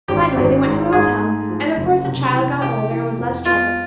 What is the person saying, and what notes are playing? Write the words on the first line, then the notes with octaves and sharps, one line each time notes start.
Finally they went to a hotel, and of course the child got older, and was less trouble.
G#1 G4
G#1
G#2
G#2 G#4
A3
F3
F#1
C3
E3
C3 G4
E3
F2
B3 F4